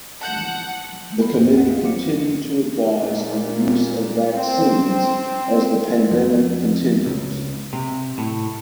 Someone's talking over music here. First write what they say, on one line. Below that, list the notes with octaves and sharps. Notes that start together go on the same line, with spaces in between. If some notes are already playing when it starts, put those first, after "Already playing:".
The Committee continued to advise on the use of vaccines as the pandemic continues.
F#5 A5 F#6 G6
A4 B5
G#1 A2 D#4 G4 C5
E2 G#3 C4 F#5 B6
B3 F4 D#5 F5
F#3 B3 F4 D6 C#7
A#2
C4
F2
C#2
C3
A2